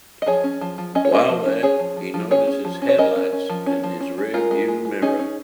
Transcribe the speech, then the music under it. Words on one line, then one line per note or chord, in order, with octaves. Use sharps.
While there he notices headlights in his rear view mirror.
D#5
F3 G#4 C#5
C#4
F3
F3
C#4 D#5
C#5
C#4 A#4 D#5
F3
C#4
C#4 G#4 C#5
F3
F3
F3
C#4 G#4 C#5
C#4
F3
C#4
C#5
C#4 A#4 D#5
C#4
C#4
F3
C#4
F3
C#4
C#4
G#3 F4 A#4
G#3
G#3
G#3
C#4 D#4 G#4
C#4